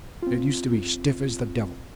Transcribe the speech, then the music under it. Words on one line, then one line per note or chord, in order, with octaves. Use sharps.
It used to be stiff as the devil.
C4 F4